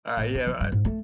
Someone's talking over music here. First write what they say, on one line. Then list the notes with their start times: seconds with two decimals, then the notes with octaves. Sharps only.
alright, yeah, right
0.17 A1
0.35 D4
0.47 E3
0.61 G2
0.72 G#2
0.85 A3